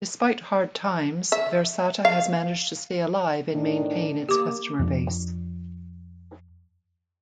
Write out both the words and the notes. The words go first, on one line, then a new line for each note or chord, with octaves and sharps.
Despite hard times, Versata has managed to stay alive and maintain its customer base.
E5
F5
A2 D#3 D4
A#3 G4 D6
F2 F3 D4